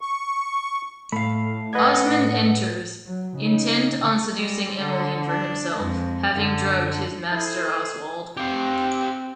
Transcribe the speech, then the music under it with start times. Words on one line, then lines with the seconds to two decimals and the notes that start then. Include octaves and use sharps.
Osmond enters, intent on seducing Emmeline for himself, having drugged his master Oswald.
0.01 C#6
1.12 A2 A3 F5 B5
1.73 B4 D#5 F#5 G#6
3.07 F#3
3.38 C#3 D#4
4.34 G3 G#3
4.79 D3
5.26 D4
5.77 F2 G#3
6.32 F#2 D3
7.32 E4 G#4 A4 C5 C6
8.37 C4 G4 F5